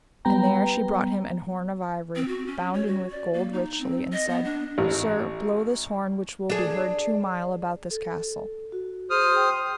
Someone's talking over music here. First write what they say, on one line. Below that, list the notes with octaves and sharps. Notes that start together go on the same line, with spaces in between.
And there she brought him an horn of ivory, bounden with gold richly, and said: Sir, blow this horn which will be heard two mile about this castle.
G3 B3 G5 A#5
C4
F#4
C#4
C#5
F#4
D5
A#3
D#4
C4
D#5
B3
D4
A1
D4 G#4
A4
F#4
G#4 C5 D#6 F6
G5